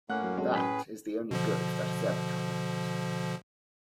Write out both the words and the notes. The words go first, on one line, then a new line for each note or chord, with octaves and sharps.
That is the only good that has ever come of it.
A2 A3 A#3 C#4 F#5 F#6
F#2
G#3 C4 F#4 A4
A2 C#4 G#4 B4 B6
B2 D3 F3